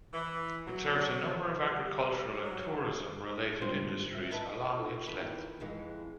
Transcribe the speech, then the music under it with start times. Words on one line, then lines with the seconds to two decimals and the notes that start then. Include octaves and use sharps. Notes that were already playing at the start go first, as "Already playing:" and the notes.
It serves a number of agricultural and tourism-related industries along its length.
0.12 E3
0.65 F#3
1.65 G3
2.42 F#3
3.61 G#2 D#3 G3 D4 F4 C5
4.15 E5
4.31 E4 B4 D#5 E5 A5
4.77 D#4 F4 A4
5.06 D#3 E3 B4
5.60 F2 E3 G#3